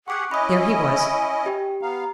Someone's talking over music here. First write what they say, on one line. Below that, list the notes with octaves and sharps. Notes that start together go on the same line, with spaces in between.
There he was!
G4 G#4 F#5 C#6 D6 F#6
C#4 E4 D#5 G#5 B5 D#6
G4 G5
B3 F5 A#5